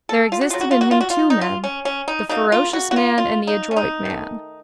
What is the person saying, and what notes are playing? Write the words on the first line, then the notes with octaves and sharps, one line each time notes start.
There existed in him two men, the ferocious man and the adroit man.
A4
F4
F#4
C#3 F#3 A#3 F4
F#4
F4
F#4
F4
F#4
F4
D#4
F4
C#4
C#4
D#4
C#3 F#3 A#3 D#4
F4
F#4
F#4
F4
F4
D#4
C#4
D#4
D#3 A3